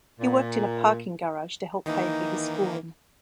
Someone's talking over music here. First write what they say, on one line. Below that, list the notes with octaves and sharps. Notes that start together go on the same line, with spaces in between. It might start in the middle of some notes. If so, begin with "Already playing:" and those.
He worked in a parking garage to help pay for his schooling.
A#2
D#3 E3 A#3 D#4